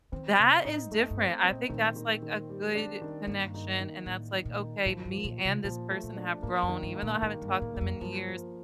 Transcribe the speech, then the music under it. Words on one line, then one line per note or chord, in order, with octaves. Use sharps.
That is different. I think that's, like, a good connection, and that's like, "Okay, me and this person have grown, even though I haven't talked to them in years,
D#3 C4
C3 C4
A2 D#4
F2 A3
G2
C4
C4
A#2
A#2 D#3
D#3
D#3
G3
D4
D#3
G2 A#3
D#4
D#3
A2 A#3
D#3
A#2
D#3
A2 F3
G2
F3
A#2
F3
C3
A#2 F3
A3
A#2
D4
A2 A#3
F2
D#3
G2
A#3
A#2
A2 D#3
G2
A#3
A2
G2 A#3
F2
G2 F3
F3